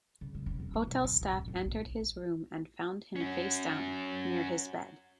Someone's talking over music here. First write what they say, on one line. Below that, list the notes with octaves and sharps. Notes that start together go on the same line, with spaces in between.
Hotel staff entered his room and found him face down, near his bed.
C#3
G#3
E1
B3
G#3
B2
D3
D2
A2
G#1
A#1
C#4 F#4